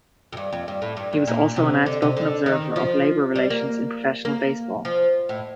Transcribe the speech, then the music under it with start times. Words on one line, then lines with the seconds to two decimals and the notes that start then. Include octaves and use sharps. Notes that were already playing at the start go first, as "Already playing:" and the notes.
He was also an outspoken observer of labor relations in professional baseball.
0.33 F2
0.37 G2
0.53 F2
0.68 G2
0.82 A2
0.97 G2
1.13 G2
1.27 A#2
1.56 C3
1.86 D3
2.02 C3
2.17 D3
2.46 D#3
2.76 F3
3.36 G3
3.50 A#3
4.25 A#3
4.85 F3
5.29 A2